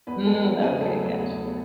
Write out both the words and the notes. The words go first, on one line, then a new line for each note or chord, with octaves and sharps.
Mm, okay, gotcha.
E2 B3 B4
A3 A4
E2
F#4 F#5
C#3
G#4 G#5
F#3 A3 A4
E2
G#4
E2